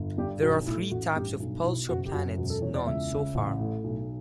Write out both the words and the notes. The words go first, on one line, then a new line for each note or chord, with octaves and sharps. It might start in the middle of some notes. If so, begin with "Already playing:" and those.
There are three types of pulsar planets known so far.
Already playing: G1
G2 G4
B1 F#4
A2 E4
A1 F#4
G2 G4
B1
B2 E4
F#1 F#4
G4
F#2 F#4
E1 F#4
A4
E2 C#5
D5
C#2 E5
C#3
A1
A2
B1